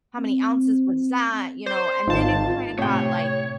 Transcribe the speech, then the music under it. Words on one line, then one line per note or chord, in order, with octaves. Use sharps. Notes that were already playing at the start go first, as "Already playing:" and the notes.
How many ounces was that?" You know, and then it kinda got, like
C4
C5 D5
G#1 D#4 F4 A5
A2 C3 G4 C#5 G5